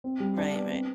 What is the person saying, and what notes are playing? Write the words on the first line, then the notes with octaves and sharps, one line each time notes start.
right, right.
C4
G3
D4
B3
C4